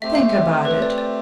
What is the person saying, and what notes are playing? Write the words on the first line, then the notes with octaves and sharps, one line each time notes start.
Think about it.
A3 C4 G4 E5
F5
E5
B4
D5
D5